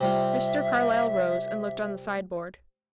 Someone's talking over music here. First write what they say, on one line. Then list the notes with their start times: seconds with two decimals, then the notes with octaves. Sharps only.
Mr. Carlyle rose and looked on the side-board.
0.01 C3 G3 F4 E5